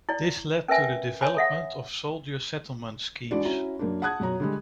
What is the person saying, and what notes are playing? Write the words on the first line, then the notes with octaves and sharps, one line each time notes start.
This led to the development of soldier settlement schemes.
E4 D5
C#4 A#4 B4 E5 G#5
C#5 G#5 B5
A4 E5 F#5
E3 G#3 D4 F#4 D5
C#4 E4 F#4 A#5
F#2 A#3 D4
F#5 A5 D#6 F#6 G#6
F#2 B2 C#5 A#5
D3 G3 G#3